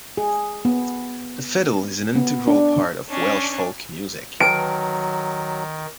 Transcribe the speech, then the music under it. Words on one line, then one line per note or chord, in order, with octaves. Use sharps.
The fiddle is an integral part of Welsh folk music.
G#4
B3
B3
D4
C#4 D4
D#3 F#3 B4 G5 A5 D7